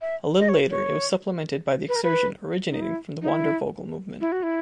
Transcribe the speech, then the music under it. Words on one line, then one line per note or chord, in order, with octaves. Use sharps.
A little later it was supplemented by the excursion originating from the Wandervogel movement.
E5
D#5
C#5
C#5
B4
A#4
B4
D#4
E4
D#4
E4
E4
F#4
E4